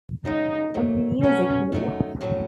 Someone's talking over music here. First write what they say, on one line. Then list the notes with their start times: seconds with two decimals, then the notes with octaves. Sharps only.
A Music War.
0.25 F#2 C#3 G#3 D#4
0.74 G#2 F#3 A3
1.23 B2 F#3 B3 C#4 F#4 A4
1.72 F#2 D#3 F#3 A3 D#4
2.21 A2 F#3 A3 C#4